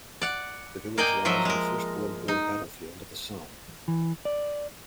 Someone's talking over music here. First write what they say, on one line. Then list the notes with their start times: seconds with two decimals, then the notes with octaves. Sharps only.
The village lies on the First World War battlefield of the Somme.
0.22 D5 F#5
0.98 A#3 A#4 D5 D#5 G5 G#5
1.25 F3 F#3 A#4 D#5 E5 A#5
1.45 G#3 A#4
2.28 D#4
3.88 E3
4.25 D5